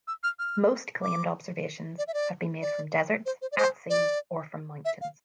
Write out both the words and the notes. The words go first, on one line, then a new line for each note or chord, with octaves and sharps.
Most claimed observations have been made from deserts, at sea, or from mountains.
E6
F6
F6
D6
D5
E5
D5
D5
C5
C5
D5
C5
D5
E5
F5